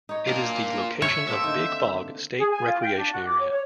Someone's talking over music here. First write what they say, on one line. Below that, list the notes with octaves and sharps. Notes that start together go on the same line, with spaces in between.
It is the location of Big Bog State Recreation Area.
D#4 C#5
F#3 D4 F4 A#4
C#5 E5
A3 A#3 C4 E5
D3 D#3
G#4
G#5
F4
G5
D4
F#4
D6
C#5
C#5